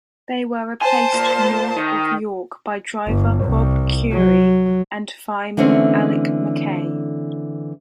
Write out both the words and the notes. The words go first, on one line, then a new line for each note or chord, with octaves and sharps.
They were replaced north of York by driver Bob Currie and fireman Alec Mackay.
C5 G#5 A5
A#2
D#3
G1
C2
F#3
D3 E3 A3 C4 C#4